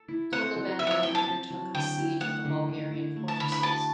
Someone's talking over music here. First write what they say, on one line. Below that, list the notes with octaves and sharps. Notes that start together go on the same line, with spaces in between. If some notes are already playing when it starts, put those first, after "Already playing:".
Totleben then undertook the siege of the Bulgarian fortresses.
Already playing: A4
E4
C4 F#5
F#3
A4 E5
F#5
E5
E4 G5
A5
C4
F#3
D3 G5
E4
A3 F#5
D3
D3
E4
A3
A5
D3 B5
B5
F#4 A5